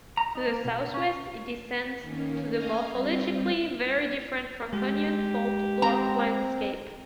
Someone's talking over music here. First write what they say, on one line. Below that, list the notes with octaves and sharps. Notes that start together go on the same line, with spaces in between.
To the southwest it descends to the morphologically very different Franconian fault-block landscape.
A#5
D#4
A#3
B2
C#4
D#3 A#3 C#4
D#5 F5 G#5 A#5
G3 C4
G#3 G4
C4 A#5